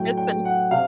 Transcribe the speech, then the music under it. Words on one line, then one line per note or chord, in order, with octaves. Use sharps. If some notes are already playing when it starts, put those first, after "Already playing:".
It's been
Already playing: A2 F#3 A3 G5
G5
F#5
C3 F5